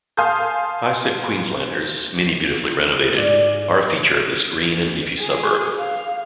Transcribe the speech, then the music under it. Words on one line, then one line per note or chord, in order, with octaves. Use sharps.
Highset Queenslanders, many beautifully renovated, are a feature of this green and leafy suburb.
F5 G#5 A5 C6 D#6 G6
G#2 D5
G#4
F5